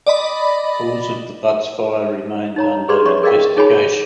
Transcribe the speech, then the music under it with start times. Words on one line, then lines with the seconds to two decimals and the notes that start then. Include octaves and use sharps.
The cause of the Butts fire remains under investigation.
0.06 D5 D#5 B5
2.56 D#4 C#5 A#5
2.89 G4 G#4 B4 D5 C6
3.05 C#4 C#5 D5 E5 C#6
3.23 G#4 A#4 D5 D#5 F5 G5
3.56 D#4 G#4 C#5 G#5 B5